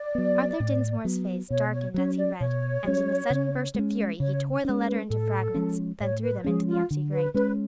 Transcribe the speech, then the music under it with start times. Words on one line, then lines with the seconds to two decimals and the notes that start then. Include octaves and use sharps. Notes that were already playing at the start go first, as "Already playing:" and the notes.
Arthur Dinsmore's face darkened as he read, and in a sudden burst of fury he tore the letter into fragments, then threw them into the empty grate.
Already playing: D5
0.15 F#3 B3
0.60 A2
1.05 F#3 B3
1.50 B2 C#5
1.73 C#5
1.94 F#3 C#4 C#5
2.17 D5
2.40 B2 C#5
2.84 F#3 C#4
3.30 C#3
3.75 G#3 C#4
4.20 C#3 C#5
4.65 G#3 C#4
4.80 B4
5.10 A2 A4
5.54 F3 G#3 C#4
6.00 A2 C#5
6.23 B4
6.44 F3 G#3 C#4 G#4
6.68 F4
6.91 D3
7.13 B4
7.34 G#3 C#4 B4